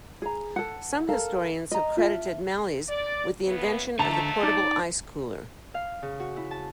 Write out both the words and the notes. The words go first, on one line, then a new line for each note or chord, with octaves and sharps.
Some historians have credited Malley's with the invention of the portable ice cooler.
G#4 A#5
A4 F#5
A4 A#4 F5
D#5 A#5
F4 E5 A5
D5
C#3 E3 B3
D3 F3 G#3 A3 A5 A#5
D#4 D5
F5
C#3
F#4
E4
A5